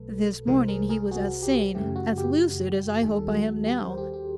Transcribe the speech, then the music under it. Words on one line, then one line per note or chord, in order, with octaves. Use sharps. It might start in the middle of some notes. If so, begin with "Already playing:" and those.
This morning he was as sane, as lucid as I hope I am now.
Already playing: B1 B2 F#3 A3 A4 B4
C2 C3 E3 G#3 A#4 C5
G#4 A#4
G#4 A#4
F#4 G#4
G4
F#2 C#3 E3 A3 G4
F#4
G4
D#2 D#3 G3 G#4
A4
F#4 G#4
G4
A#4 C5
G4
G4